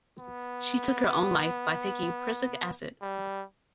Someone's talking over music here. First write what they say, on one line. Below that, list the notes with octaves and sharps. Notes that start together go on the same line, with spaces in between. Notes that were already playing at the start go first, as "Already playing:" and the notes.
She took her own life by taking prussic acid.
B3
G3